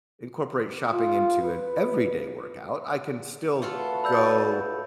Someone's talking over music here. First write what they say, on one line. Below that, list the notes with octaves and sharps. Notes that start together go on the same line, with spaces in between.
incorporate shopping into an everyday workout, I can still go
F4
B4
A3 F4 F#4 A4 B4
D5 B5 E6 G6